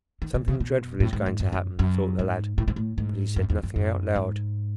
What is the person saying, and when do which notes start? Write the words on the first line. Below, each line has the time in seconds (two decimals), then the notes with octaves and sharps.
"Something dreadful is going to happen," thought the lad, but he said nothing out loud.
0.22 D#3
0.35 C#3
0.48 C#3
0.60 B2
1.00 A2
1.13 G#2
1.26 G#2
1.40 F#2
1.53 F#2
1.79 F#2
2.19 G#2
2.58 A2
2.68 G#2
2.76 A2
2.98 G#2
3.36 F#2
3.50 E2
3.63 F#2
3.76 F#2
4.16 G#2